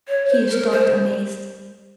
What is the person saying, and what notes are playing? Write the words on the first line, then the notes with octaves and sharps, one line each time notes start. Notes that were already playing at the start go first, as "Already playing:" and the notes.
He stopped amazed.
C#5
C5
A#4
C5